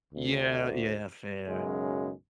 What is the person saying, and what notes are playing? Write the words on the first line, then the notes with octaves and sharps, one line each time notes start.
Yeah, yeah, fair.
D2
B1 F#2 C#3 G#3